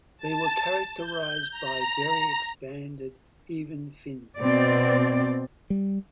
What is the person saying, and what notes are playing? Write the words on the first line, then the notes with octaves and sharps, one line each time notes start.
They were characterized by very expanded even fins.
A5
G6
A#5
B2 C4 D5
G3